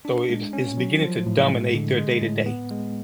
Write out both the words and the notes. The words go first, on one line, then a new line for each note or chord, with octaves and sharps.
so it's, it's beginning to dominate their day to day.
D4
G#3
C#4
F#3
F3
A2
G#3
D3
G#3
A2
B3
G#3